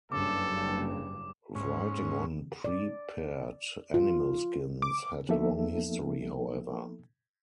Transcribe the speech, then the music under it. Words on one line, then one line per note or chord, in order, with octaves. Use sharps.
Writing on prepared animal skins had a long history, however.
F#1 G2 C#3 A4 D6
G#2 C#4
D5
F4
D6
F3 A#3 B3 D#4 A4 E5